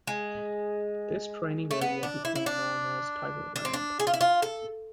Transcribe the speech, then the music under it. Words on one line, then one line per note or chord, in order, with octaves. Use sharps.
This training area became known as Tigerland.
G#3
A3
B3
D4
E4
E4
D4
D4
C4
D4
G#4
F4
E4
F4
A4